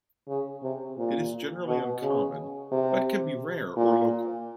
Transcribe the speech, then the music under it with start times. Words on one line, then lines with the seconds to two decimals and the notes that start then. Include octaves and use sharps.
It is generally uncommon but can be rare or local.
0.28 C#3
0.63 C3
0.98 A#2
1.67 B2
2.02 C#3
2.72 C3
3.76 A#2